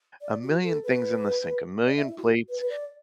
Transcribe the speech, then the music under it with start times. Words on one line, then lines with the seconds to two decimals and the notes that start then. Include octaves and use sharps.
a million things in the sink a million plates,
0.22 D5
0.42 F#4
0.63 A4
0.84 B4
1.86 D5
1.97 E5
2.08 E4
2.18 F#4
2.48 B4
2.60 B4
2.70 D5